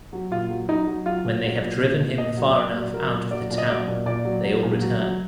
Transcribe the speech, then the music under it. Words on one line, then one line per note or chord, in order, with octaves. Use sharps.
When they have driven him far enough out of the town, they all return.
F#3
A#2 F4
F#3
F#3 D#4
F#3
F#3 F4
A#2
F#3
A#2
A#2
A#2
A#2 D#5
F#3
A#2 D5
F#3
F#3 A#4
A#2
F#3 D5
A#2
D#5
F#3 D5
A#2
A#2 D5
F#3
F#3
A#2
F#3
F#3